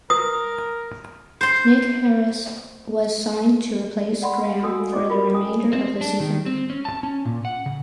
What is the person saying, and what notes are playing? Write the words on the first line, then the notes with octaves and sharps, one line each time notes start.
Nick Harris was signed to replace Graham for the remainder of the season.
A#4 D#6
C5 C6
D5 F#5 B5 C6
F5
F#4 A4 G#5 D#6 E6
C#4 D5 D#5 C#6 D6
F4 A#4 B5
C#4 G#5 D#6
C4
D4
D#3
C4
C#4
A5
C#4
A#2
F#5
C#3